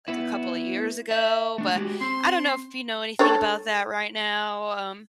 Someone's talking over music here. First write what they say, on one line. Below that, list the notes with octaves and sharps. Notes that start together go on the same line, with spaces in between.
like, a couple of years ago, but I don't know if you know anything about that right now, um,
B3 E4
E5
A3 D4
G#3 F#4 G4
C4 C6
D4 A4 C#5